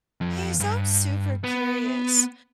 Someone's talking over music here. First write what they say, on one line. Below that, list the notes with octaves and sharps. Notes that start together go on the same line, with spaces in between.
Hey, so I'm super curious.
F2
G2
B3